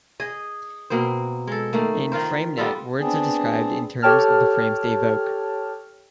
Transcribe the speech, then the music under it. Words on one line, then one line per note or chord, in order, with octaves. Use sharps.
In FrameNet, words are described in terms of the frames they evoke.
G#4 D#5
B2 A#3 C4 C5
G#3 A4
D#3 A3 A#3
D#3 F4 A#4 C5
G3 B3 F4 A4
B3 C4 D4 G#4
G4 A4 C#5 G5 A5 F6